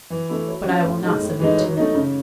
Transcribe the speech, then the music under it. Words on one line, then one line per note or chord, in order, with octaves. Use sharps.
But I will not submit to it.
E3
A3 E4
F#3
C#4 E4
A2
G#3 D#4
A2
E3 G#3 D#4
F#3
A3 D#4
C#3